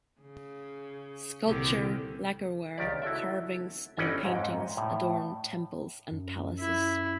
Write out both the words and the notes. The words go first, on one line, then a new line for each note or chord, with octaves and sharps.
Sculpture, lacquerware, carvings, and paintings adorn temples and palaces.
C#3
C2 A#2 D3 D#3 G4 A4
C#2 D#3 G4 D5
E4 F#4 A4 E5
G1 E3 C#4 D#4 F#5 G5
F2 G#2
A2
F#2
E4